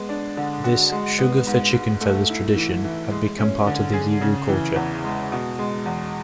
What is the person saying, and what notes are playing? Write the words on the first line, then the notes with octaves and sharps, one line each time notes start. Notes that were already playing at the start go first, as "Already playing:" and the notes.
This "Sugar-For-Chicken Feathers" tradition had become part of Yiwu culture.
Already playing: G#3 B3
D4
D3
F#4
G#3
B3
G#2
G#2
A3
E4
E3
E3
G#3
C#4
D3
G#4
C#3
E3
E2
G#3
B2
G#3
E2